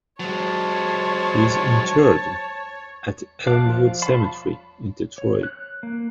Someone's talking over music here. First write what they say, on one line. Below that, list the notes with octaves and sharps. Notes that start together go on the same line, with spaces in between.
He is interred at Elmwood Cemetery, in Detroit.
F#3 G#3 C5 C#5 A5
F5 A5 D6 F#6
F3 F4
F5 A5 B5
C#5
F#6
A#3